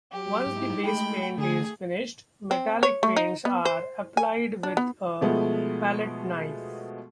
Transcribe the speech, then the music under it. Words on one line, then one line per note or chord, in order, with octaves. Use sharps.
Once the base paint is finished, metallic paints are applied with a palette knife.
F#3 G4
G#2 D#4 E4
G#3 A3 G5 B5
D3 G#4
C4
C#5
A3
D#4
B3
C5
G#5
D4
B3
B2 F3 G#3 A3 B3